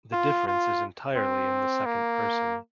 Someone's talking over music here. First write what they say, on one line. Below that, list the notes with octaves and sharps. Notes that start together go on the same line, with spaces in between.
The difference is entirely in the second person.
F4
F4
C4
A#3